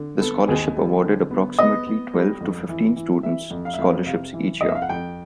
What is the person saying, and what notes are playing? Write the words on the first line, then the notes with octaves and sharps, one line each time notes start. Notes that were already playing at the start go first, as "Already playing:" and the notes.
The scholarship awarded approximately twelve to fifteen students scholarships each year.
Already playing: D3
B3 A4
D#2 G#4
G3
D3
B3
B3 D#5
B3
G3
F2
E3
E3
E3 E5
F2
F5
E5
F2 F5
C3 F5
E3
F2 D#5
E5
F5
F#5
F2 G5